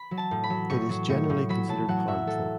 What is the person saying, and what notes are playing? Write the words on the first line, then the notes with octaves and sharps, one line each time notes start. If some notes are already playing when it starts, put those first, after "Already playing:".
It is generally considered harmful.
Already playing: B5
F#3
A5
A2
B5
F#3
A2 C#6
F#3
A2 C#6
A2
F#3 B5
F#3 A5
F#3 F#5
F#3 E5
F#3 A4